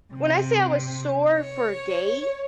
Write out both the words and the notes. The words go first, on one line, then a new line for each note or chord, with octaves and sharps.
when I say I was sore for days;
C3
C#5